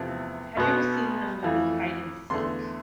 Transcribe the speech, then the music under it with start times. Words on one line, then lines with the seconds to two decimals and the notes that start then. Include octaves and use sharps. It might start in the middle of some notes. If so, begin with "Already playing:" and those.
have you ever seen the movie Hide and Seek?
Already playing: E2 C3 F3 A3 C4 A5
0.57 B1 B2 B3
1.43 F2 E3 A3
2.30 E2 D3 A3 C6